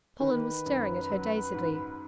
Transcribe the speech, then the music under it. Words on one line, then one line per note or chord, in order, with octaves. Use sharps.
Colin was staring at her dazedly.
D#3 B4
F#2
F#3
G#2